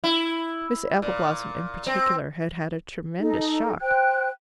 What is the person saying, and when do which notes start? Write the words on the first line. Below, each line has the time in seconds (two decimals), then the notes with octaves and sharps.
Miss Appleblossom in particular had had a tremendous shock.
0.04 E4
1.02 A#2
1.87 C4
3.19 D#4 A4
3.81 C5 G5 F#6